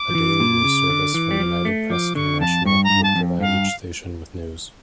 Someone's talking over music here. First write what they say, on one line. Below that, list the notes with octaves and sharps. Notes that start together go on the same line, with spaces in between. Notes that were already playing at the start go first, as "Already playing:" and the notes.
A daily news service, from United Press International, would provide each station with news.
Already playing: D6
F3
E3
A#2
C#3
D3
E3
G3
F3
A3
F3 D6
D3 C#6
F2 A5
G2 C#6
A#5
G2
A5
F2
G2 F5